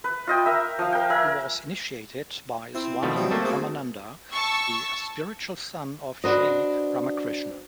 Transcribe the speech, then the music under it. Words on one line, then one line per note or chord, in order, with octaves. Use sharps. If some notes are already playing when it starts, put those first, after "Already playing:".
He was initiated by Swami Brahmananda, the spiritual son of Sri Ramakrishna.
B4
F4 D#5 G5
A#4 E5
F3 F5
A#4 G5
A#4 E5 G#5
C4 E4 C6
B2 F3 A3
F#3 G3
A3 A#3
B3 F#4 G#4
A5 C#6 E6
D4 F#4 B4 C5 D#5